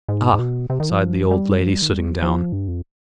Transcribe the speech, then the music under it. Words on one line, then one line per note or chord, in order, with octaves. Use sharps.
"Ah," sighed the old lady, sitting down.
G#2
G#2
B2
C3
D#3
F3
G3
F3
G3
D#3
G3
F3
F3
G2
F2